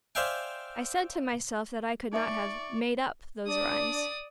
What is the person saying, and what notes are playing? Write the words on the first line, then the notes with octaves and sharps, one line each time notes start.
I said to myself that I could not have "made up" those rhymes.
C5 D5 E5 F5 G5 G#5
D#4 D5 E5 C#6 D6
D4 D5 D#6